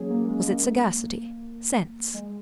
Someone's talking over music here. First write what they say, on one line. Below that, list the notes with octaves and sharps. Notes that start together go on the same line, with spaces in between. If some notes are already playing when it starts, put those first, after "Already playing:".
Was it sagacity?--sense?
Already playing: F#3 G#3 A#3 C#4 G#4
A#3
A#3
G#3
A#3
G#3